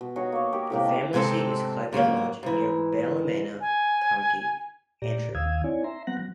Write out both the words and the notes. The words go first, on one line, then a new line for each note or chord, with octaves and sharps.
The family seat is Cleggan Lodge, near Ballymena, County Antrim.
B2
D#4 F#4 G#4 C#5
A#3 C#5
G4 A#4
A2 C3 A#3 G4
B4 D#5 F5 A5
G#2 C3 G#3 C4 A4
G#2 F#3 G#3 A#3
G#2 E3
G#5
A#2 G4 D5 A#5
D#2 D#3 F5 D#6 E6 G#6
C4 D#4 E4 C#5 D5 G#5
E5 A#5 C6
F#3 B3 C4 F#5 F#6 A#6
F#3